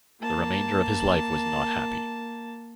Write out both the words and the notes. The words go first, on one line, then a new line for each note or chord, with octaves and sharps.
The remainder of his life was not happy.
A#3 A5